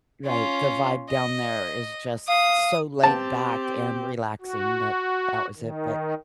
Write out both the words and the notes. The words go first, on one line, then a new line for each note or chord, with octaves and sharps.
Right, the vibe down there is just so laid back and relaxing that, that was it, but,
C#4 F4
D#5
F5 D#6
C4 G4 A5
F#4
D#3